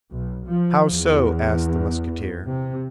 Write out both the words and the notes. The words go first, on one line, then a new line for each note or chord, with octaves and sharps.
"How so?" asked the Musketeer.
B1
F3
E2
C3